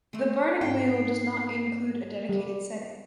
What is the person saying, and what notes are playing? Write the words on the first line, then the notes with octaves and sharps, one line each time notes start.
"The Burning Wheel" does not include a dedicated setting.
G#3 A3
G#2 C4 G5 C7
G3